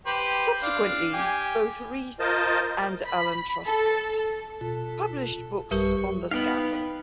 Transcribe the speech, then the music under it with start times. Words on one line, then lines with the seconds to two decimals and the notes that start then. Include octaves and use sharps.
Subsequently, both Reese and Alan Truscott published books on the scandal.
0.06 G4 B4 C5
0.62 D4 F5
1.13 G4 G#5
2.20 F4 A#4 C5 D#5 A5
3.05 B5
3.65 A4
4.61 B2 F4 A4
5.71 A1 F#2 G3 G4 A#4 B4 C#6
6.31 B3 D#4 F5 G5 B5